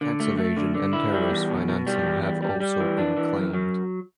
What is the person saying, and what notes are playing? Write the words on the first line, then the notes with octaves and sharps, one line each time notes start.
Tax evasion and terrorist financing have also been claimed.
D3
A3
A3
D3
D3
E4
G3
E2
B2
B2
G3
E2
G3
G3
G3
E3
D4
E3
F#2
F#3